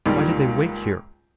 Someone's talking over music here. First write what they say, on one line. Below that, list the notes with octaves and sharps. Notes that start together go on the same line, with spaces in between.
Why did they wait here?
C#2 G#2 D#3 F3 G3 A#3